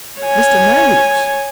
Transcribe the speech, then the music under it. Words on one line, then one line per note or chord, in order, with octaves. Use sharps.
Mr. Noaks!
C#5 G#5